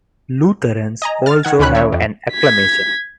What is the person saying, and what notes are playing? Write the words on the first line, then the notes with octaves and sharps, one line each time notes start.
Lutherans also have an acclamation.
D#5 G#5 A#5
F6 A6
D#3 F#5 G#6
D2 D#3 C#4 B5 F#6
C#5 E5
F2
G#6 B6